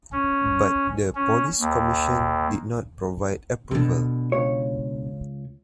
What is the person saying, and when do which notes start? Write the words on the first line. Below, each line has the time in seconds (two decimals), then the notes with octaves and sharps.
But the Police Commission did not provide approval.
0.12 C#4
1.15 C#4
1.60 D#2
3.71 B2 D3
4.32 C#2 C#5